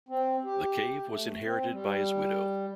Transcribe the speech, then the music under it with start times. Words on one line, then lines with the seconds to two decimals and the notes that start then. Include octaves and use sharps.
The cave was inherited by his widow.
0.09 C4
0.45 G4
1.07 A3
1.44 C4
1.71 G3